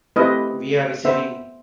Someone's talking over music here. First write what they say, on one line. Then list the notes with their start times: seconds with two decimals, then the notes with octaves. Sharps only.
We are receiving.
0.16 A3 C4 E4 G4 B4 D#5
1.05 B3 C5 E5